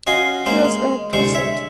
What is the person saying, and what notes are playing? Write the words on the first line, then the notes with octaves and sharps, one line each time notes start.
Pierce and Cassatt.
C#4 F#4 D#5 F5 G#5 C6
G#3 A#3 C#4 C5
G#3
C2 D3 G#3 C5 C#6
C#5 E5